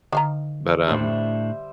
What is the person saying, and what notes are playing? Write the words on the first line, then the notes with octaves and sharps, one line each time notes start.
but, um,
D3 D#3 F5 A#5
A2 G3 D4 C5 E5